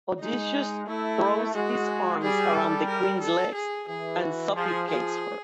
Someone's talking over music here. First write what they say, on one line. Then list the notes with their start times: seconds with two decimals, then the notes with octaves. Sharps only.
Odysseus throws his arms around the queen's legs and supplicates her.
0.21 G#3 D#4
0.87 A3 E4
1.54 G#3 F#4
2.21 G3 G#4
2.54 A4
2.88 A#4
3.21 A4
3.55 G#4
3.88 E3 G#4
4.21 F#4
4.55 F3 G#4
4.88 F3 G#4